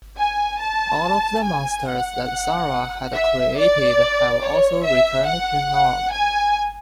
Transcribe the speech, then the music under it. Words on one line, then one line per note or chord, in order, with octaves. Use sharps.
All of the monsters that Sarah had created have also returned to normal.
G#5
A5
G#5
F#5
E5
D5
C#5
E5
F#5
G#5